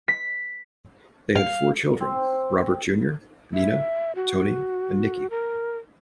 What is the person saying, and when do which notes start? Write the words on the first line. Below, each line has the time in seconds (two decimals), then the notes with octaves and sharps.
They had four children: Robert Junior Nina, Tony and Nicky.
0.08 B6
1.35 F5
2.01 C4 C5
3.54 E5
4.15 F#4
5.30 A#4